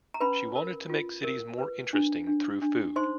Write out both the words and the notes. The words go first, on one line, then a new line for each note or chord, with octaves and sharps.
She wanted to make cities more interesting through food.
A#5
C#4 B4 B5
A#4
F4
A#4
B4
D4
D4
D4
D#4 C5 C6